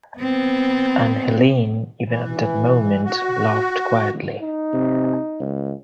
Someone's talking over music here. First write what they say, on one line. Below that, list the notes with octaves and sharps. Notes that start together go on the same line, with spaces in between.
And Helene, even at that moment, laughed quietly.
B3 C4
E3
F#4
D#4
C3
C#2